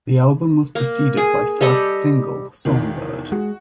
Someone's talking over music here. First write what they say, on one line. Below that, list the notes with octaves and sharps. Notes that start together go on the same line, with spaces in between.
The album was preceded by first single "Songbird".
A#3
G#4
G3 G4 A4 D#5
B1 E2 D#3
G#3 F#4